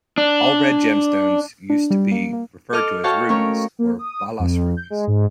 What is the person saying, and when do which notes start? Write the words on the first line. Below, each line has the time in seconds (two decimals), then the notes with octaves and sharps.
All red gemstones used to be referred to as rubies or "balas rubies".
0.18 D4
1.70 D4
1.90 G3
2.11 A#3
2.33 A#3
2.73 A4 D#5 D6 F6
3.04 F#4 C#5 F5 G5 A5 C#6
3.29 A3 C#4 A#4 C#5
3.79 A#3
3.99 D#6
4.39 F2
4.77 G6
4.90 G#3
5.07 G#2